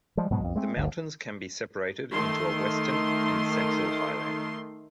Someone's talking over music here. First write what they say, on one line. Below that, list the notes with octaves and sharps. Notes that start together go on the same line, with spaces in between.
The mountains can be separated into a western and central highland.
F3 G3 G#3
G#2 B2 F#3 G#3
B1 F2
G#3 A3 C4
G1 D2
D#3 A3 C6